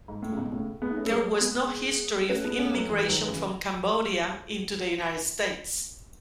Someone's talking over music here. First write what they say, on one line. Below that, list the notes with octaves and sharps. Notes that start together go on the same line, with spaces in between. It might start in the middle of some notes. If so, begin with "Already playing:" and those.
There was no history of immigration from Cambodia into the United States.
G#2
A2
C#3
G#2 B2
A2 C#3
G#3 B3
D#4
A3 C#4
A4
F#3 A3 G#4
G#3 B3
A3 C#4 B4
G#3 B3
A3 C#4
F#3 A3
E3 G#3
G#3
D#3 F#3
C#3 E3